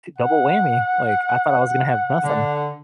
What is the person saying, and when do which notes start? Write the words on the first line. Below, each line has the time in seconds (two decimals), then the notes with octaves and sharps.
double whammy," like, I thought I was gonna have nothing.
0.18 F#5
2.24 D3